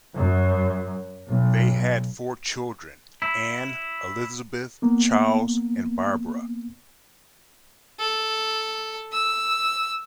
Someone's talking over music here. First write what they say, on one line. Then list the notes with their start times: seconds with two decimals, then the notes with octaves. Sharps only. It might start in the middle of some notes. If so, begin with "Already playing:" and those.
They had four children: Anne, Elizabeth, Charles, and Barbara.
0.14 F#2
1.26 B1
3.22 E4
4.82 A#3 B3
7.99 A4
9.12 E6